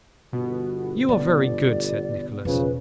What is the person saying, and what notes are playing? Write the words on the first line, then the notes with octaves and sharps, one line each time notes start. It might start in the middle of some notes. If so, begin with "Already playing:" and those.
'You are very good,' said Nicholas.
G1 B2 B3 F#4
A3 D5
E1 C#3 F3 B4